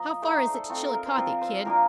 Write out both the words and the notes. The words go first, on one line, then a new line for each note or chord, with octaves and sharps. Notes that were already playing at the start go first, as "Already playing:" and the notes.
"How far is it to Chillicothe, kid?"
Already playing: F3 A#3 F4 D#5
A3 D#4 D5
C5
A4
A3 C4 F4 A4
A#4
A#4
C5
F3 C4 F4
C5
F3 A#3 D4 F4 A#4